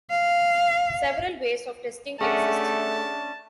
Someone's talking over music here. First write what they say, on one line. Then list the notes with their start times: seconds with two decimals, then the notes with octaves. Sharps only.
Several ways of testing exist.
0.11 F5
2.21 A3 C#4 D4 G#4 E5 F#5 A5